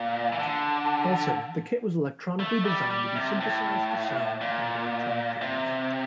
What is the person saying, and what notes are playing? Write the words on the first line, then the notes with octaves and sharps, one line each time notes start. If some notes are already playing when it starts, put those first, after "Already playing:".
Also, the kit was electronically designed to be "synthesized" to sound like electronic drums.
Already playing: A#2
E3
D3
A3
G3
G3
C3
A2
A#2
C3